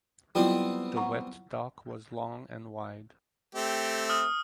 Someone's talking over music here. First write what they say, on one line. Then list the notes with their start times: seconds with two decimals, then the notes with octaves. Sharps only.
The wet dock was long and wide.
0.35 F#3 G3 B3 C4 E4 F4
0.96 F#5 A#5 C#6
3.55 A3 C4 G4
4.09 D#6 F6